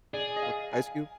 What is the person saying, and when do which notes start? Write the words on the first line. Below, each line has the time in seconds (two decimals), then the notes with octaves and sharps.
with Ice Cube?
0.13 G#4 D5
0.36 D#5
0.43 F5
0.73 G#5